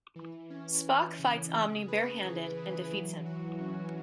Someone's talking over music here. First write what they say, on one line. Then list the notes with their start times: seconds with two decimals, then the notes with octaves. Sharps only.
Spock fights Omne bare-handed and defeats him.
0.16 E3
0.50 C#4
0.85 C#4
1.19 C#3
1.53 G#4
1.88 B4
2.22 E3
2.57 E3
2.92 F#3
3.26 F#4
3.60 C#4